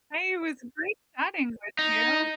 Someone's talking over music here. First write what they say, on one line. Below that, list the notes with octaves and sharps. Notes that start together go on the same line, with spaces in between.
Hey, it was great chatting with you.
D#4